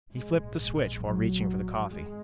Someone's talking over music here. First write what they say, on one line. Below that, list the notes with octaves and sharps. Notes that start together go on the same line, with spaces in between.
He flipped the switch while reaching for the coffee.
A#1 G#2 G#3
F#3
G#1 G#3